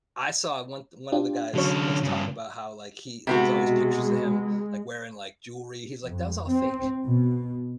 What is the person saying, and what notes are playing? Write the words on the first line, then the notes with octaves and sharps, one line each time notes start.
I saw one one of the guys was talking about how, like, he there was always pictures of him, like, wearing, like, jewelry. He's like, "That was all fake."
D4 F4 G4
D3 F#3 C#4 C#5
G2 C#3
C3 G#3 B3 F#4
B2
F2
C4
B2